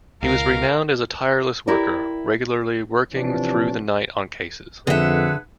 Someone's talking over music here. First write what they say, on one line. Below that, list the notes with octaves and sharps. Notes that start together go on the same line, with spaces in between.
He was renowned as a tireless worker, regularly working through the night on cases.
C#2 A#4 F5
E4 G4 A#4 D5
C3 E3 F3 C#4 D4
F2 D3 G#4 B4 E5 F#5